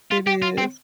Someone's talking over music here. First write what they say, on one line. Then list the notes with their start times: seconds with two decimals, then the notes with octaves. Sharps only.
It is.
0.11 F4
0.27 G4
0.42 F4
0.58 C4